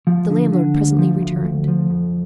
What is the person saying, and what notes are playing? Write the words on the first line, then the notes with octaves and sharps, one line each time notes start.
The landlord presently returned.
F3
D3
D3
D2
F3
D2
D2
F3
F2